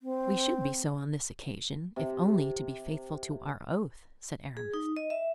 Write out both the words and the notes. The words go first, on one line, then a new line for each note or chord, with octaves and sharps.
"We should be so on this occasion, if only to be faithful to our oath," said Aramis.
C4
C3
G#4
D#4
D#5
E5